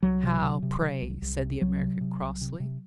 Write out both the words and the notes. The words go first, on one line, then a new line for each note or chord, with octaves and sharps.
"How, pray?" said the American, crossly.
C2 F#3
C3
C3
C3
C3
C2
C2
C3
C2 F#3
C3
C3
C2
C3
C3